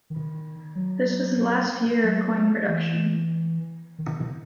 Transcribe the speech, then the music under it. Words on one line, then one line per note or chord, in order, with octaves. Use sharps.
This was the last year of coin production.
D#3
F#3
F#3
E3
D#3